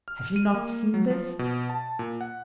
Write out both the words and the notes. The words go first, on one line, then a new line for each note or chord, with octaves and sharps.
Have you not seen this?
F6
D#7
A#3
F#3
F3
B2
A5
A#2
F#5